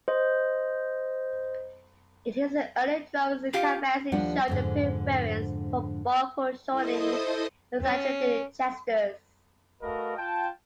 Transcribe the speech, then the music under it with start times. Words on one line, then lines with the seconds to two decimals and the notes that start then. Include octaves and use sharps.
In his early drawings Cambiasi showed a preference for bold foreshortenings and exaggerated gestures.
0.08 C5 D#5
3.53 F4 G4 F5
4.12 D#2 F3 G3 D4 F#5
4.48 F2 G#2 D3
6.70 E4 A4 C5 D#5 D#6
7.82 C#4
9.81 A3 F#4 A#4 B4 D#5 F5
10.16 F4 G5 A5